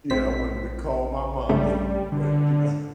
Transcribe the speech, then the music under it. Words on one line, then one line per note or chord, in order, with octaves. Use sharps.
Yeah, I wanted to call my mommy, but, you know
A#1 A2 C4 B6
G2 C#3 G3 A3
D3